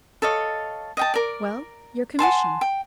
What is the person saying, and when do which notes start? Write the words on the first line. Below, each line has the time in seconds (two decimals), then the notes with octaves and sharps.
"Well,--your commission?"
0.22 A4 C#5 D#5 F5
0.97 D#5 G5 A5
1.14 A#4 D5
2.19 F#5 G#5 A5 C6
2.61 G5